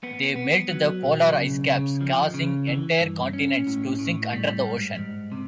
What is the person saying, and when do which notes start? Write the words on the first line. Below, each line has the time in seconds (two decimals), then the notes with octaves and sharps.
They melt the polar ice caps, causing entire continents to sink under the ocean.
0.03 B3
0.36 B3
0.69 F#3
1.02 B1
1.36 C#3
1.69 C#3
2.01 F3
2.34 C#3
2.68 E3
3.01 G2
3.33 C#4
3.67 A2
3.99 A2
4.33 G3
4.65 G#2
4.99 G#2
5.32 C3